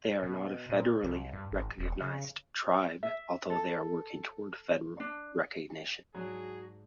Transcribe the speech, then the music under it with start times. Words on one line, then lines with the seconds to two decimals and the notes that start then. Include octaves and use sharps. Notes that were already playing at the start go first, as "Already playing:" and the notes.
They are not a federally recognized tribe, although they are working toward federal recognition.
0.23 B2
0.69 A#2
1.03 C2
1.33 G2
1.51 G#1
1.78 E1
2.01 C#3
3.03 E5
3.50 A4
5.00 D4
6.15 G#2 F#3 D4 F#4 G#4